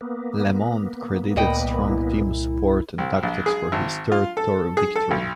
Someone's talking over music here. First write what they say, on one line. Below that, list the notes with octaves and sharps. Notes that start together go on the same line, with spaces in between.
LeMond credited strong team support and tactics for his third Tour victory.
A#3 B3
D2 A#2 D#5 G5 B5
C2
E4
C2
A#1
G#4
G#1
F4
A4
G#4
A4
B1